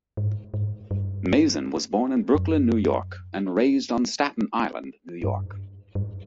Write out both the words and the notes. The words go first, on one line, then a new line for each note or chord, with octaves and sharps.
Mazin was born in Brooklyn, New York, and raised on Staten Island, New York.
G#2
G#2
G2
F#2
G2
G2